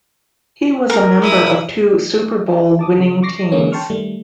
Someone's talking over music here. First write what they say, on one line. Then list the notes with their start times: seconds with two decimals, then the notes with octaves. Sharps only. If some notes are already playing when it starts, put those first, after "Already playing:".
He was a member of two Super Bowl-winning teams.
0.90 A#4
1.22 E4 D#6
2.79 A5 D6 D#6
2.94 C#3 F3
3.22 C#6 D6 A#6 C7
3.51 E3 G#3 A#3 C#4 C#5
3.72 G5 A5 C6 C#6 F6
3.90 D#3 G3 A3